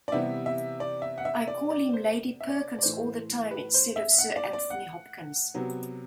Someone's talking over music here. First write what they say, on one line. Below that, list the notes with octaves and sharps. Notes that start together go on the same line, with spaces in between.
I'd call him Lady Perkins all the time instead of Sir Anthony Hopkins.
D5
C3 E3 G3 B3 E5
E5
D5
E5
F#5
E5
D5
D5
C5
E5
D5
D5
A2 E3 A3 C5
B4
C5
E5
F#5
D5
D5
F#5
C3 F#3 B3